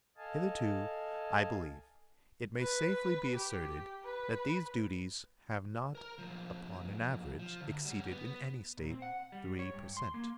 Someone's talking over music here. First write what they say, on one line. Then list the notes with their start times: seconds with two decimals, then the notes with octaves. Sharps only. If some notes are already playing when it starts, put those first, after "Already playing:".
Hitherto, I believe, it may safely be asserted, that these duties have not upon an average exceeded in any State three per cent.
0.17 A4 D#5 F5 G#5 A5
2.60 B4
3.35 G4
4.04 B4
5.95 A#4 A#5
6.18 B1 F3
7.39 F3
7.61 D2
7.85 G3 F#4
8.10 B3
8.77 A#2
8.90 C4
9.02 F#5
9.32 G3
9.59 C#5
9.74 G2
9.97 C6
10.14 A#3